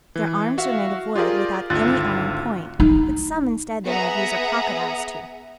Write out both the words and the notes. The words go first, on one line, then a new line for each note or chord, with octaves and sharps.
Their arms are made of wood, without any iron point; but some instead thereof use a crocodile's tooth.
E3
F#4 E5 F5
F4 G4 G#4 A#4 D5
G#1 D2 F4 F#6 A6
D#4
B3 G#4 E5 F#5 A#5 D#6